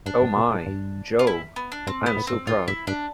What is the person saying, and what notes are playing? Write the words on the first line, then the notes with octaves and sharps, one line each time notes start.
O my, Jo, I am so proud!
G2 D4
G2
B2
A2
G2
F4
E4
B3
D4
G2 C4
A2
B3
A2
A2 C4
A2 F4
G2 E4
G2 D4